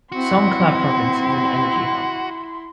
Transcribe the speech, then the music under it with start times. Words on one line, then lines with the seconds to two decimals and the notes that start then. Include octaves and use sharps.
Songkhla Province is an energy hub.
0.12 C4 E4 F#4 C6